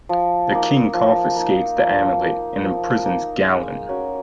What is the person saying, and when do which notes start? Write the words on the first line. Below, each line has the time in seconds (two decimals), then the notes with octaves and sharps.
The king confiscates the amulet and imprisons Galen.
0.09 F3
0.51 A#3 D#4
0.94 F3
1.36 A#3 D#4
1.78 F3
2.20 A#3 D#4
2.63 F3
3.05 A#3 D#4
3.47 G#3
3.89 C#4 F#4 A#4